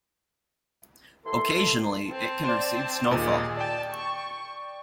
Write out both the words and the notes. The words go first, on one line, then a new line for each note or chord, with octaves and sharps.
Occasionally, it can receive snowfall.
D#2 E3 A4 C6
C4 A5
C5 D5
D#2 A#2 G#4 D#5
D5 G5 A5
C#6